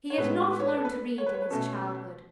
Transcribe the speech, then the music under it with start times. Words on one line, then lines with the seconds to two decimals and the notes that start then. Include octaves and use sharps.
He had not learned to read in his childhood.
0.10 C#5
0.17 A2 G#3 B3 B4
0.51 B4
0.60 C#5
0.68 B4
0.76 A4
0.85 B4
1.18 C#5
1.26 B4
1.34 C#5
1.42 B4
1.50 B2 A3 C#4 A4